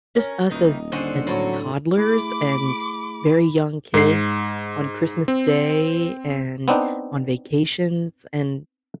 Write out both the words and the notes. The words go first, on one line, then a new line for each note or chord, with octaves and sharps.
just us as as toddlers and very young kids on Christmas Day, and on vacations, and
C#4 A#4
D#1 D#3 E3 D#4
D3 C4 C#4 C5 F#5
A2 F#3 C4 A4 C#5
A3 E4 G#4 B5 D6
G#2 C7
C4
B3 C4 D4 D#4